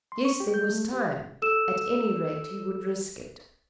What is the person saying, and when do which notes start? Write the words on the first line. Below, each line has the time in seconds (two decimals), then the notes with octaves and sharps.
Yes, there was time; at any rate he would risk it.
0.12 C6
0.25 C#6
0.40 G4
0.54 G6
0.70 A3
0.93 G4
1.42 A4 E6 E7